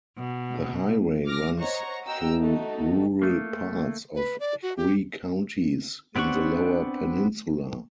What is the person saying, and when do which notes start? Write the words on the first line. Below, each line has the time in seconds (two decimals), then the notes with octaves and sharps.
The highway runs through rural parts of three counties in the Lower Peninsula.
0.18 B2
1.26 D6 F6 A#6
1.58 C5 C#5 D#5 F#5 A#5 C#6
2.06 F#4 D#5 G5 A#5 E6
2.38 A3 D#4 F#4 A4
3.22 A3 A#3
4.15 B4
4.40 D5
4.63 F#4
4.77 G4
6.16 B3 C4 D4 F#5 C#6